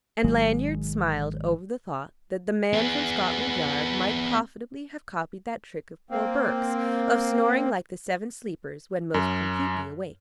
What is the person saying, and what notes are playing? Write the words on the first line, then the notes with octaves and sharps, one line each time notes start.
And Lanyard smiled over the thought that the man from Scotland Yard might profitably have copied that trick of poor Bourke's, of snoring like the Seven Sleepers when most completely awake....
G#1 D#3 F#3 G#3
B3 G#4
A#3 C4
F#2